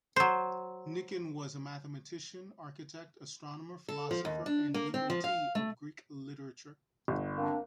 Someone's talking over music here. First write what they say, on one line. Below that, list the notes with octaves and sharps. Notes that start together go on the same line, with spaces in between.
Nicon was a mathematician, architect, astronomer, philosopher, and devotee of Greek literature.
F#3 C5
A4
F3
D#2
D4
A#3
C4
F3
F5
A3
G1
A#3 C4 D4